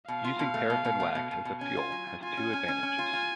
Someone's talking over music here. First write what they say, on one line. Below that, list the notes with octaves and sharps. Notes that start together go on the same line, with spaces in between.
Using paraffin wax as a fuel has two advantages.
B2 F5
F4
B2
A3
B2
B2
A3
B2
B2
B2
C#4 G#5
F4
F#3
F4
F4 G#5
C#4
C#4
C#4
C#4
F4
F4